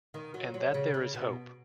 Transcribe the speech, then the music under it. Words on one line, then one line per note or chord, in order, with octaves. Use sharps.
And that there is hope.
D#3
F#3
F#3
C#3
C#3
B2